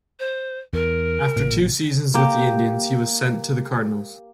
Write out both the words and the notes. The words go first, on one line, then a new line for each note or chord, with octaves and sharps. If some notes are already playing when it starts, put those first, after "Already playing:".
After two seasons with the Indians he was sent to the Cardinals.
C5
E2 A#4
A1 A#2
A#3 G4